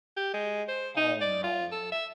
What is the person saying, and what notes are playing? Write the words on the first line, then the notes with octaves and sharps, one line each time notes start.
Oh, no.
G4
G#3
C5
D#4
D5
F4
A4
E5